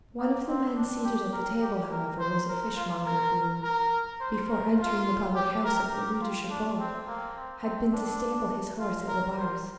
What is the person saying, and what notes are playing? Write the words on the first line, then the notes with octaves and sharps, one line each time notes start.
One of the men seated at the table, however, was a fishmonger who, before entering the public house of the Rue de Chaffaut, had been to stable his horse at Labarre's.
A#3
C4
D4
G4
A#4
G4
A#4
C5
A#4
F4
A#4
A#4
C5
A#4
F4
G4
A#4
G4
F4
D4
C4
A#3
C4
C4
D4
F4
A#4
C5